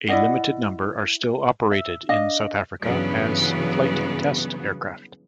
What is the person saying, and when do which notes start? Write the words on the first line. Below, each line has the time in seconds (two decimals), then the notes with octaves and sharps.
A limited number are still operated in South Africa as flight test aircraft.
0.08 E4 D5 D#5 F#5
1.71 E5
2.09 D4 D#5 F5
2.84 G2 C#3 E3 F#3 B3